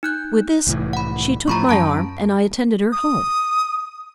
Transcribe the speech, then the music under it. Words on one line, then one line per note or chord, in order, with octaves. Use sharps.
With this, she took my arm, and I attended her home.
D#4 F#6 G6
C2 A2 E3
F#5 B5
A2 F3 A#5 B5 C#6
F#2 C#4 A5 D7
D#6